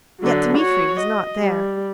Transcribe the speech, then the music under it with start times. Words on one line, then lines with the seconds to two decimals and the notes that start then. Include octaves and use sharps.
Yet Dmitri was not there.
0.20 D3 F#3
0.58 F#4 C#5
1.00 D#5
1.39 G3